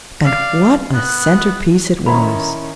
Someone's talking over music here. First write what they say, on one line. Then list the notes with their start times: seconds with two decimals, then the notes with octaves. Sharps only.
And what a centrepiece it was!
0.25 D5 F5
0.94 B3 F#6
2.06 D#3 C#4 E4 C5 A#5 B5